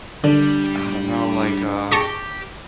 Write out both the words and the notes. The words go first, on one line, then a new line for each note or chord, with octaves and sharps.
I don't know, like, uh
D3 G3 D4
G4 G#4 A5 C#6 D6 A#6